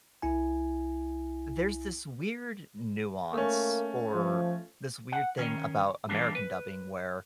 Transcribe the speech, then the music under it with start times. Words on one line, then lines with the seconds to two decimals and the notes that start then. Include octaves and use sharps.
there's this weird nuance, or this weird thing about American dubbing where
0.22 C2 E4 G#5
3.33 A3 A#3 C#4
4.15 F3
5.12 F#5
5.39 D#3 C#4
6.09 E3 G3 A#3 D4
6.35 B4